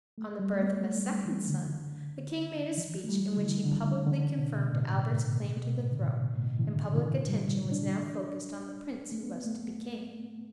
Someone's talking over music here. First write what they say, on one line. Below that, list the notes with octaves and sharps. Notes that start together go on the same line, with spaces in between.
On the birth of a second son, the King made a speech in which he publicly confirmed Albert's claim to the throne, and public attention was now focussed on the Prince who was to be King.
A3
G3
A3
B3
A3
G3
E3
D3
E3
A3
G3
D3
E3
D3
D3
D3
B2
B2
A2
B2
A2
B2
B2
A2
D3
B2
A2
B2
E3
D3
A2
B2
D3
E3
G3
D4
A3
B3
B3
A3